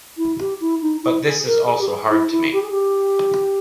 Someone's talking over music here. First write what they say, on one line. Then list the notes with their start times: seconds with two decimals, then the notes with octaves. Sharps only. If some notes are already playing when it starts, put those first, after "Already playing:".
But this is also hard to me.
0.17 E4
0.39 G4
0.60 E4
0.82 D#4
1.03 E4
1.25 G#4
1.46 A#4
1.67 G#4
1.81 G4
1.89 G#4
2.10 E4
2.31 E4
2.53 G4
2.62 G#4
2.71 G4